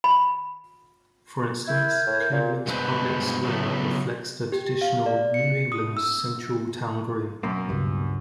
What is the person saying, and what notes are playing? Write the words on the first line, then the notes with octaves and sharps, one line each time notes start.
For instance, Cleveland's public square reflects the traditional New England central town green.
B5
E4 A#4 G6 G#6
A2
A#2
G2 B2 G#3 A#3 B4 C5
C#3 F#3 A3 B3
G4
F5
D5
C#7
D#6
E6
F#2 B2 A#3
C#2 G2 A#2